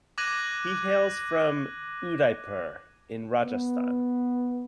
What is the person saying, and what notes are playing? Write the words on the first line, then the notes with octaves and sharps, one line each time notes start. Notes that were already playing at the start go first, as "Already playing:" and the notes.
He hails from Udaipur in Rajasthan.
D6 F#6 G#6 A#6 D#7 F#7
B3